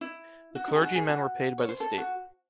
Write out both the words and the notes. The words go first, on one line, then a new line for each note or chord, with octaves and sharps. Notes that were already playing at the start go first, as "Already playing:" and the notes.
The clergymen were paid by the state.
E4
F#4
D#4
G#4
F#4
G#4
F#4
C#5
C5
A4
F#4